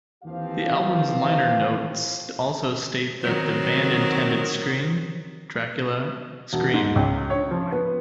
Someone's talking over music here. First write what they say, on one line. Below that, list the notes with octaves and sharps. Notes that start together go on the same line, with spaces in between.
The album's liner notes also state that the band intended Scream, Dracula, Scream!
D#2 E3 F3 C4 G4 F5
D#3 F#3 C4
E1
G#2
C#2
C#5
F3
B3